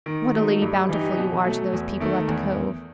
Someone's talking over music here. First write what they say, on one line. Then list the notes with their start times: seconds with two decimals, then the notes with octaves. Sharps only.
What a Lady Bountiful you are to those people at the Cove.
0.06 D#3
0.34 F#3 A3 D#4
0.62 G2
0.89 E3 G3 D#4 G4
1.16 B2
1.45 F#3 A3
1.73 E2
2.00 D#3 A3
2.28 E2